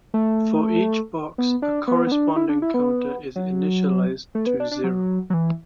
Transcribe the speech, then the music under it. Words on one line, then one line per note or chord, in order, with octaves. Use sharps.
For each box, a corresponding counter is initialized to zero.
A3
B3
D4
B3
B3
D4
E4
D4
E4
B3
F#3
A3
B3
D4
D4
F#3
F#3
E3